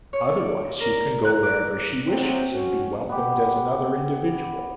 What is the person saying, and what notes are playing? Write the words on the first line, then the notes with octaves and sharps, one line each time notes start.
Otherwise she can go wherever she wishes and be welcomed as another individual.
C#5
D5
A#4
F#6
D6
C3 F#3 B3 C4
C#4 F#4
B3 G4